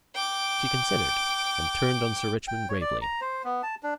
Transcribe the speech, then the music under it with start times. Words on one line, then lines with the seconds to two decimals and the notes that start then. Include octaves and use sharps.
She considered and turned on Sir Richmond gravely.
0.15 G5 D6
2.48 G5
2.69 C#5
2.81 D5
3.02 A#5
3.21 C5
3.44 B3
3.63 A5
3.83 D4